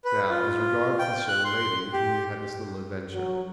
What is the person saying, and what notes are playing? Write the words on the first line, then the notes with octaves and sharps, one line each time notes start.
Now, as regards this young lady, with whom you had this little adventure.
B4
F4
G5
F#6
C6
G4
F#3